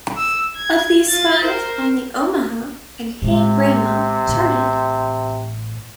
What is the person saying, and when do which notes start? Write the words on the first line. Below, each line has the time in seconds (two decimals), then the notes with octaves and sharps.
Of these five, only "Omaha" and "Hey Grandma" charted.
0.17 E6
0.57 G#6
1.09 F4 A6
1.44 A#4 C5
3.22 A2 C3 G#3
4.28 A1 A2